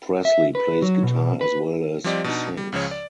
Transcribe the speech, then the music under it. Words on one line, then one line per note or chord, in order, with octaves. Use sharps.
Presley plays guitar as well as sings.
E5
B4
F#3
B2
B4
F3 G3 C4 G4 D5 D#5
B2 D4 D#4
G3
C#2 C#3 F3 C#5
D5